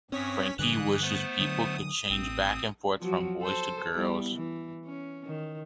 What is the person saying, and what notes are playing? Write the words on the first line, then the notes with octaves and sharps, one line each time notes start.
Frankie wishes people could "change back and forth from boys to girls".
G2 C4 C#4 C#5 D#6 B6
G2 D3 E3 D#6 F#6
A3 B3 C5
D3 F#3 D#6
A1 C4
F3 F#3 F#4
A4 C5
G3 B3 E4
E3
C#4
D#3